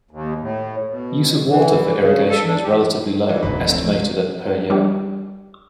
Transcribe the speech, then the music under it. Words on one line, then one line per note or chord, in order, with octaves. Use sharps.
Use of water for irrigation is relatively low, estimated at per year.
D#2
A2
B2
E3
C#3
A4
D4
G4
E3
F1 D2 G#2 F3 B4
A3 C4
G3 D4 G4